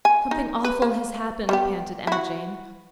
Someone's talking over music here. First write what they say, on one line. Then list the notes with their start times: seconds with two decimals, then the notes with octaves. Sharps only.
"Something awful has happened," panted Emma Jane.
0.05 G#5
0.31 D#4
0.64 B4
0.82 A#3
1.49 G3 B3 G4
2.07 E4 F#4